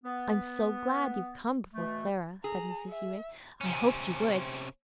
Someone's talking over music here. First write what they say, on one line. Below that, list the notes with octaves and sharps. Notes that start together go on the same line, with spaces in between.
'I'm so glad you've come before Clara,' said Mrs. Hewett. 'I hoped you would.
B3
B2 E3 A3
G#4 A#5
E5
C3 C#4